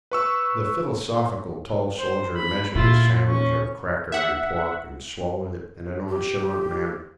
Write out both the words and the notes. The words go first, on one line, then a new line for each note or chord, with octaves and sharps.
The philosophical tall soldier measured a sandwich of cracker and pork and swallowed it in a nonchalant manner.
B4 C#6 E6
C5
B5
A#2 E4 F4
C#4 C#6
E5 F#5
G4